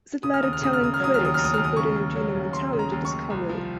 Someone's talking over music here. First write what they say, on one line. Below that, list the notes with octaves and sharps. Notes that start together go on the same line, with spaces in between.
That led Italian critics, including Eugenio Montale, to discover it.
C#3 D#6
F6
D#2 D#6
F6
C#3 D#6
F6
C#3 D#6
F6
F#3 D#6
D#2 F6
D#6
D#2 F6
D#6
D#2 F6
D#6
C#3 C#6
D#2
F#3
C#3
D#2 C6
C#3
A#5
D#2
C#6
D#2
C2
F3